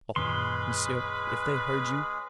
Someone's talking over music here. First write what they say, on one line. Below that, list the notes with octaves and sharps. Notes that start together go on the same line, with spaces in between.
Oh! monsieur, if they heard you!
F#2 A#2 D#3 G#3 C#4 G#4 B4 C6